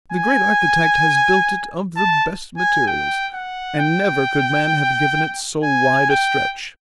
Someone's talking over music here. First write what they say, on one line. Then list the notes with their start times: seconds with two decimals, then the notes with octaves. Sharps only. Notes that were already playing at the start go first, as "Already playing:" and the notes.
The great Architect has built it of the best materials; and never could man have given it so wide a stretch.
0.12 G#5
1.96 A5
2.58 G#5
2.87 G5
3.34 F#5
3.79 G5
5.63 G#5
6.10 G5